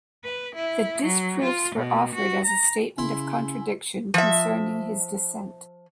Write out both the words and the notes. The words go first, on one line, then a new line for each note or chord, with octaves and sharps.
The disproofs were offered as a statement of contradiction concerning his descent.
B4
E4
F#3
F4
B2
F#4
A#5
C#3 C#4 E4 E5 C6
F3 E5